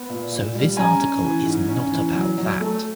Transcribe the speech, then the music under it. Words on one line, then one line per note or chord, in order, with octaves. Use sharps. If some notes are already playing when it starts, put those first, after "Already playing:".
So this article is not about that.
Already playing: B3
A#2
A#2
G3
C#4 G#5 A#5
C#4
E3
G#2
C#4
E3
F#3
F#3
A3